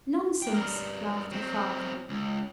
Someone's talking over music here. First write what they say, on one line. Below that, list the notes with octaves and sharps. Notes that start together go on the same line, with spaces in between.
"Nonsense," laughed her father.
A#3 G5
G2 A#4
F#3 C4
C#2